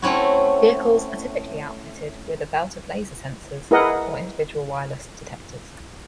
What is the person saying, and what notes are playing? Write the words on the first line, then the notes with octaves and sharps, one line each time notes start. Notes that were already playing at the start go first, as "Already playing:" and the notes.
Vehicles are typically outfitted with a belt of laser sensors or individual wireless detectors.
A3 C4 C#4 E4 F#4
E4 G#4 A#4 B4 D#5 F#5